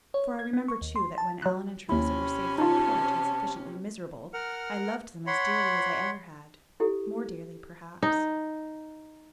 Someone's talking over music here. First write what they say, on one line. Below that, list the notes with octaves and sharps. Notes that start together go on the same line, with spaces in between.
For I remember, too, that when Allan and Theresa were safely apart and sufficiently miserable I loved them as dearly as I ever had, more dearly perhaps.
C#5
G#6
B3
C#6
D#2
C6
A5
F#3 F#6
D#2 C3 C#4 E4 B5
D#4 F4 A5
A#4 F#5 F6
C#5 F#5 B5 C6
E4 G4 A4
D#4